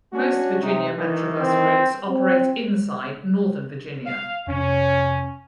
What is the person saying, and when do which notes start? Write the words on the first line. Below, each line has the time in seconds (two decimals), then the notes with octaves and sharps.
Most Virginia Metrobus routes operate inside Northern Virginia.
0.13 C#4 D4 F#4
0.61 C3 D#4
0.96 D#3 E3
1.40 C4
2.09 C4
4.05 F5
4.47 F2 C3 C#4